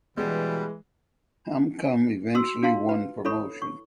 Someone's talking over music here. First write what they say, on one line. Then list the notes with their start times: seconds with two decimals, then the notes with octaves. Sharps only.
Hamkam eventually won promotion.
0.17 B2 E3 G3 G#3 B4
2.35 F#4 C6 E6
2.62 D4 F4 F#4 F5 A5 C6
2.89 B4
3.25 E4 A4 C#5 B5 C#6
3.62 C#6